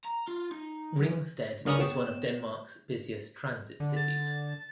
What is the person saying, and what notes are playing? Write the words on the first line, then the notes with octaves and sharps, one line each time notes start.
Ringsted is one of Denmark's busiest transit cities.
A#5
F4
D#4
F#2
C#2 C#4 D4 A#4 D#6
B3 C#5 G5 A5
D3
A6